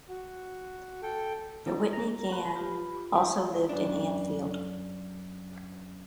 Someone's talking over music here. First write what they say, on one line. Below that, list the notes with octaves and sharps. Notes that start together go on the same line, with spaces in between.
The Whitney gang also lived in Anfield.
F#4
A4 G5
E3 D4 D#4
A#5
B4
F4 G4 B5
C2 D#4 G4
F#2 D4